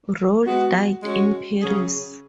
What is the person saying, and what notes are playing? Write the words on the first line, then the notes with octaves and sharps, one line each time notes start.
Rolle died in Paris.
G#3 B3 F#4
G#3 C#4 F#4
C#3 F#3 C#4 G#4